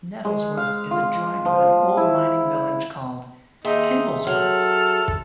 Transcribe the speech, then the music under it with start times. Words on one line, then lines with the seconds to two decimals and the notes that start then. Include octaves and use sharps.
Nettlesworth is adjoined with an old mining village called Kimblesworth.
0.25 G#3
0.57 F5
0.91 F4
1.46 F3
1.97 E4
3.65 D#2 D#4 G#4 E5 C6
4.27 F#3 A4 F6